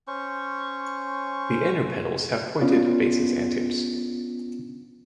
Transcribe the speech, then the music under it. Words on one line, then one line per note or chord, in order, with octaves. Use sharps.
The inner petals have pointed bases and tips.
C#4 C5 C#6
B3 C#4 D4 F4